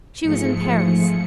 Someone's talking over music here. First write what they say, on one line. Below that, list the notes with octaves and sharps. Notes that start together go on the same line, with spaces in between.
She was in Paris.
G#2 F3 G#3 A3 C#7